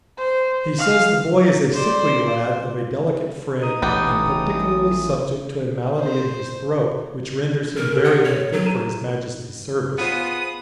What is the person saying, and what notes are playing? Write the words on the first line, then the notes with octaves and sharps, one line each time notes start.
He says the boy is a sickly lad, of a delicate frame, and particularly subject to a malady in his throat, which renders him very unfit for his Majesty's service.
C5
F5
C5 D5
D#4 D#6
A1 A2 B3 G4
C5
A#4
G4 A4
F#5
C#5
F#3
A#5 D#7 E7
B3 F4 G#4 C5 D#6